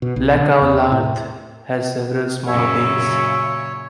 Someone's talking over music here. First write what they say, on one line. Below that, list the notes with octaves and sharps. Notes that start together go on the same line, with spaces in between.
Lac au Lard has several small bays.
B2
B1
D3
E2
A2
F#2 A#2 C#3 C#5 E5